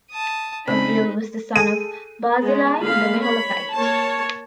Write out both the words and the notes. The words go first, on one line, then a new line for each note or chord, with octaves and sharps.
Adriel was the son of Barzillai, the Meholathite.
A5 D#6
C#3 C4 D#4 C5 D5 B5
G#4 A4 D#7
G#3 B3
D3 G#3 A#3 F5 B5
C#5 B5
A#3 C#5 A5